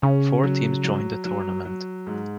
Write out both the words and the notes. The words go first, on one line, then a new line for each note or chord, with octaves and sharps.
Four teams joined the tournament.
C#3 C#4
F#3
F#3
F#3
F#3
G#2